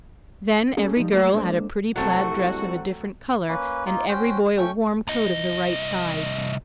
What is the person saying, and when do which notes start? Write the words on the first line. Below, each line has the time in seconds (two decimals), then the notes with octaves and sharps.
Then every girl had a pretty plaid dress of a different color, and every boy a warm coat of the right size.
0.77 A#3 C#4 G#4 A4
0.97 F3 G3 D#4
1.13 A3 A#3 F#4 A#4
1.34 G#3 A#3 D4 A4 C5 D5
1.96 C2 F#3 A3 C4 F#4
3.49 A#3 C#4 B4
3.86 A#3 D#4 F4
4.09 C#4 F#4 C5 G5
4.58 A3 C#4 G5 C#6
5.08 C2 D#5